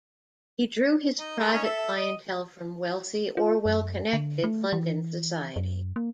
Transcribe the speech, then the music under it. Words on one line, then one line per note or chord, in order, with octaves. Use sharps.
He drew his private clientele from wealthy or well-connected London society.
D#4
G#3 A#4
C#4 D#4 C#5
A4 E5
D#5
F4
F#2
D3
A3
E3
F#2
A#3